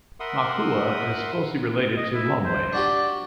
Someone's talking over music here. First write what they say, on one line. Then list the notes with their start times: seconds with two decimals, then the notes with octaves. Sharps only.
Makhuwa is closely related to Lomwe.
0.20 A#4 E5 F#5 B5 C6 D#6
1.97 D#5
2.14 E4
2.45 C5
2.73 D4 F#4 G4 D5